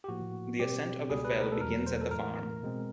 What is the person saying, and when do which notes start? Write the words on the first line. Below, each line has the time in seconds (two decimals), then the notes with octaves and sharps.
The ascent of the fell begins at the farm.
0.04 G4
0.08 A2 F3 A#3 F#4
0.59 B2 G3 C4 G4
1.09 C#2 B2 G3 G#4
1.25 B4
1.36 A#4
1.52 A4
1.61 E2 B2 F#3 A#4
1.87 C5
2.01 A4
2.11 A2 E3 A3 A#4
2.63 B2 G#3 C4